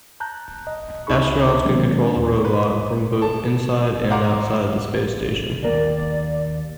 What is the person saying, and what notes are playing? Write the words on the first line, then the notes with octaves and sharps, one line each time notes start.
Astronauts can control the robot from both inside and outside the space station.
A5 A#5 F#6 G6
D#5
C#2 D#4 G#4 B5 C#6
D#3 F#3 G#3 A#3 C4 D4
D#2
B4
A5
F5 F#5 A#5 C6 D6
D#2 A#3 D5